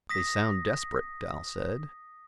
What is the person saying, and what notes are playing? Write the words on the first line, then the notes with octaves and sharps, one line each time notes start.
"They sound desperate," Dal said.
D#6 A#6 B6